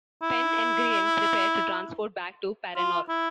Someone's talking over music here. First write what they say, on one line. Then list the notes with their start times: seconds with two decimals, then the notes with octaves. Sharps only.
Pen and Grianne prepare to transport back to Paranor.
0.22 E4
2.77 F4
3.09 E4